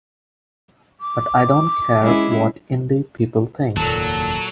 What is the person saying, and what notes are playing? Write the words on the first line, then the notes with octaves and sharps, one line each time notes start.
But I don't care what 'indie people' think.
D6
G#3 C#4 E4
F1 D#2 A#2 F#3 A4 A5